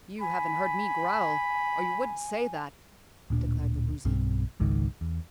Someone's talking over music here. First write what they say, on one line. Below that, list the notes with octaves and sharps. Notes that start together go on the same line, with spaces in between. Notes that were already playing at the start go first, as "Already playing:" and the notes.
"You haven't heard me growl, or you wouldn't say that," declared the Woozy.
G#5 B5
D1 A#2 D4
B1 G2 C4
G#1 C#2 G#2 D#3
E2